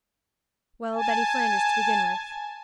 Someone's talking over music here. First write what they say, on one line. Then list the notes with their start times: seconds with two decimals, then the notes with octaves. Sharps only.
Well, Betty Flanders, to begin with.
0.93 G#5 A5